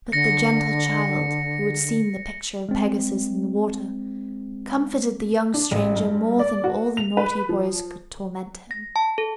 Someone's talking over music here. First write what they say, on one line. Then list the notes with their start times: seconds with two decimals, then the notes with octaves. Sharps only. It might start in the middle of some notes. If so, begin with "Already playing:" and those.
But the gentle child, who had seen the picture of Pegasus in the water, comforted the young stranger more than all the naughty boys could torment him.
0.12 D3 A#6 C#7
2.69 G#3 C4
5.54 D4
5.71 A1
5.96 G2
6.39 D5
6.64 F#4
6.97 F7
7.17 B4
7.49 F3
8.71 A#6
8.96 A5
9.18 A4